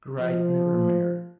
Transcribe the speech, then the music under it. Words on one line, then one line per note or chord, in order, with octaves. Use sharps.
Wright never married.
F3